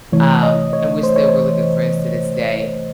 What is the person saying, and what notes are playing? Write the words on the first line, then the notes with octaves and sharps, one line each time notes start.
um and we're still really good friends to this day
C3 E3 A3 C#5
D#5
C#5
C5
C#5
C5